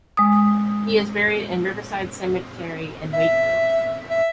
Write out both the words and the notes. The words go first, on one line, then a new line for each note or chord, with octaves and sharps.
He is buried in Riverside Cemetery, in Wakefield.
G#3 D#6
E5
E5